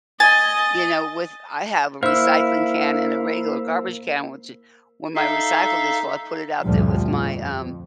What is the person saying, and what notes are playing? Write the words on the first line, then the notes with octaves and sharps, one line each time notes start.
you know, with I have a recycling can and a regular garbage can, which it when my recycle gets full, I put it out there with my, um
D#5 G#5 A6
A#3 E4 C5 F5 E6
D#4 A4 E5 F5
D2 G2 A#2 D3 F3 G3
F2